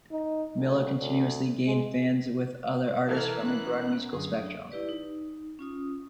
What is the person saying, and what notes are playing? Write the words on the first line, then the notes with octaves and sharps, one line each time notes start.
Miller continuously gained fans with other artists from a broad musical spectrum.
D#4
D2
D2
G#3
E3 A#3 A4 A5 F6 G#6
B3 C#4 A#5 F#6
F#2 D3 G#4
E4 G4 B4 D5
D#4
C#4 F4 D#6